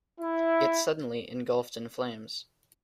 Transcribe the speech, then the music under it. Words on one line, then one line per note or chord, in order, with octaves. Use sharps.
It suddenly engulfed in flames.
E4